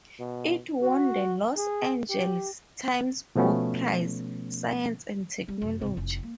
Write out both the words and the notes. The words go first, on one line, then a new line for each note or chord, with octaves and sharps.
It won the Los Angeles Times Book Prize, Science and technology.
B2
F#4
G#4
G4
B2 F3 A3 B3 C#4
G3
F#2 C3
G#1 C3
F1 E4
A#3